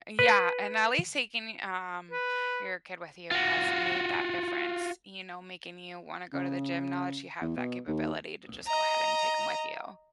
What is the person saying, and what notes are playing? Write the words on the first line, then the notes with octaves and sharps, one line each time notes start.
A Yeah, and at least taking, um, your kid with you has made that difference, you know, making you wanna go to the gym now that you have that capability to just go ahead and take 'em with you.
B4
B4
F4 F#4
C#3
E2
B2
D#2
D#5 A#5